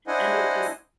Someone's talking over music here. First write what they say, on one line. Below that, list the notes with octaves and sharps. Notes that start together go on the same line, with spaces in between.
and it just
D4 E4 C5 D#5 F#5 G#5